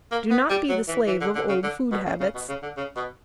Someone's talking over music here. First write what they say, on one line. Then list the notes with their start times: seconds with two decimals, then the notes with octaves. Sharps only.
Do not be the slave of old food habits.
0.11 A#3
0.30 B3
0.49 G3
0.69 F#3
0.88 E3
1.07 E3
1.21 D3
1.35 D3
1.49 C#3
1.63 D3
1.92 B2
2.06 C#3
2.20 C#3
2.35 B2
2.49 C#3
2.62 D3
2.77 C#3
2.96 B2